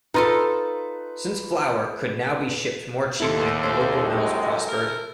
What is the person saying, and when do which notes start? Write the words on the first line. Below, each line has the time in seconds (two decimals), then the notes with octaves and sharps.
Since flour could now be shipped more cheaply the local mills prospered.
0.14 D#4 F4 A4 B4
3.20 D#2 E4 A4 C6
3.63 C5
3.98 F#2 D#3 F3 G#3
4.68 A#4